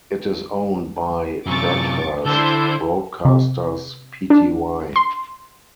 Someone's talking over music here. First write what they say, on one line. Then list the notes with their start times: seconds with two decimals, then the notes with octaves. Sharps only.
It is owned by Bathurst Broadcasters Pty.
1.46 F#2 C3 C#6 D6 A6
2.26 D3 D4 E4 A4 C5 A5 G6
3.25 C3
4.30 D4
4.96 C6